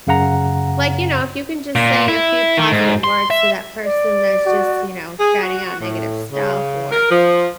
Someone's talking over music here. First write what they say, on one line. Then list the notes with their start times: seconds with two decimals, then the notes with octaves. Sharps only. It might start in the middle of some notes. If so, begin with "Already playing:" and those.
Like, you know, if you can just say a few positive words to that person that's just, you know, shouting out negative stuff or,
0.07 F#2 C#3 F5 F#5 A#5
1.75 A#2
2.08 E4
2.57 D#3
2.72 G#2
3.04 C6
3.30 E5
3.84 D5
4.46 F#4
5.20 G#4
5.43 F#4
5.80 A2
6.31 C#3
6.91 A#4
7.11 F3